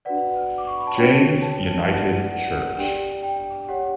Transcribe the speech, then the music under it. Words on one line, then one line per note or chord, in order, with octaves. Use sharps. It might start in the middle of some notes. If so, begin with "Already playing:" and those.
James United Church.
D4 F#4 B4 D5 F#5
D6
C#6
B5
A5
D4 F#4 C#5 G5
A5
E4 B4 D5 F#5
F#5
D4 G4 D5 G5
G5
G4 C#5 F#5